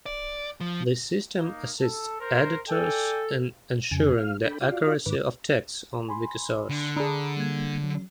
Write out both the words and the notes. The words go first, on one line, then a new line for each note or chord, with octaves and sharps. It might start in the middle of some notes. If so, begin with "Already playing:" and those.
This system assists editors in ensuring the accuracy of texts on Wikisource.
D5
F3
A#3 D#4
A4
A#4 C5
A4 D5 G5 G#5
F2 C#3 G#5
F5 F6
D4 A4 G5 B5
F4 F#4 D5 F5
G#2 D#3 B4 D6
G#5 B5 C6
D3
D4 G#4 A#5 B5 D#6
G3 A#3 G#6
F#3